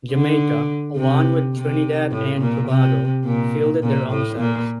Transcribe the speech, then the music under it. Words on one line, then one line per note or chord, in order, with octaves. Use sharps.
Jamaica, along with Trinidad and Tobago, fielded their own sides.
D3
C3
C3
A2
A#2
C3
A#2
A#2
A2
A#2